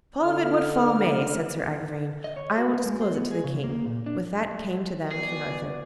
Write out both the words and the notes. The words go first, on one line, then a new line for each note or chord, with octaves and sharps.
"Fall of it what fall may," said Sir Agrivain, "I will disclose it to the king." With that came to them King Arthur.
D3 F6
D#5
C#5
F#4
A#3
G#3
C5
B3
G#4
C#3
A#3
A#2
D4
B3 F#4 G#4 D5